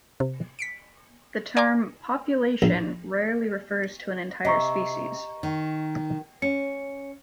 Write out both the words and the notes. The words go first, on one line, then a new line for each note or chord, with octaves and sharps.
The term "population" rarely refers to an entire species.
C3
B6 C#7 D7
D5 G#5 A#5 C6 D6
A#1
C3 D#5 A#5 C#6
D#3
C#4 C#7